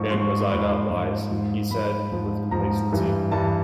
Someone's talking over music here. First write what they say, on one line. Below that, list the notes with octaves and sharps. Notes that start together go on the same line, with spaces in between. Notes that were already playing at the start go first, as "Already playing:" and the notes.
"And was I not wise?" he said, with complacency.
Already playing: G#2 F3 C#6
G#2 F3 C6
C#6
C#6
C6
G#2 F3 B5
G#2 F3
G#2 F3
G#2 F3 B5
G#2 F3
G#2 F3 A#5
G2 E3
G2 E3 A5